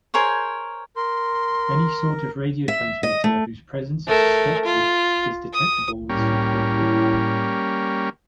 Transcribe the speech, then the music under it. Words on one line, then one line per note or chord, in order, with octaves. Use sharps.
Any sort of radio transmitter whose presence is suspected is detectable with suitable equipment.
G#4 A#4 C5 C#5
A#4 C6
E5
D#5
A3
A3 A#4
F4
D#6
A2 G3 A#3 C#4